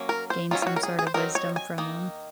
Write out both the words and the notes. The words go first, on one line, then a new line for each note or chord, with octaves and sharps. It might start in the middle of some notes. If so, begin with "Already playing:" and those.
gain some sort of wisdom from 'em.
Already playing: F#3 A#3 C#4
A#4
C5
D#3 F#3 C#4 F4
F4
F#4
A#4
G#4
G#4
C5
F#3 C4 D#4 A#4
C#5
G#5
D#3 A#3 D#4